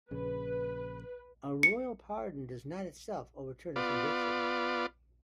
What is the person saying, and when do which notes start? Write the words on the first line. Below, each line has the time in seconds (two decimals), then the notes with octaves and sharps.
A royal pardon does not itself overturn a conviction.
0.11 A#1 C#3 B4
1.63 C#7
3.76 B3 F4 D5